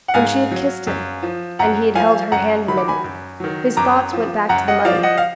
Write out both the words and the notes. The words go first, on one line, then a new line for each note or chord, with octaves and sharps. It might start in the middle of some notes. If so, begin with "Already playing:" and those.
When she had kissed him, and he had held her hand a minute, his thoughts went back to the money.
F#5
G#2 F5 G#5
F#3
F#2
F3
F#2 F#5 A#5
F3 F5 G#5
F#2 F#5 A#5
D#3 F#3 B5
D6
G#5 B5
F#2
D#3 F#3
F#2 A#5 D6
F3
F#2 F#5 A#5
D#5 F#5
D#5
F3 D5 F5
D#5 F#5
F5